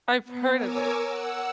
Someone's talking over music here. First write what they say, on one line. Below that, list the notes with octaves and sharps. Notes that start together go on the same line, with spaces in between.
I've heard of it.
B3
A#4 C#5 G#5 D6 E6
F#5 E6